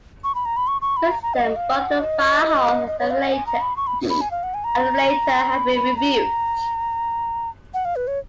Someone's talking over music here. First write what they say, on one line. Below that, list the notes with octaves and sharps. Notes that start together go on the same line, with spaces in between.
Since then both the firehall and elevator have been rebuilt.
C#6
B5
A#5
B5
C#6
C#6
B5
A#5
A#5
D#5
D#5
F5
F#5
D#5
D#5
C#5
F5
F#5
G#5
A#5
B5
C#6
B5
B5
G#5
F5
F#5
G#5
A#5
B5
B5
A#5
F#5
F5
B4
C#5